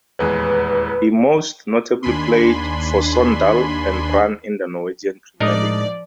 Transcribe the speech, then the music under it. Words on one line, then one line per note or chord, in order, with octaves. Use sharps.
He most notably played for Sogndal and Brann in the Norwegian Premier League.
D#1 E2 G#3 B4
D#2 D4 G#5 B5 C6
A2 F3 G#3 D4 D#4 A#4 D5 D#6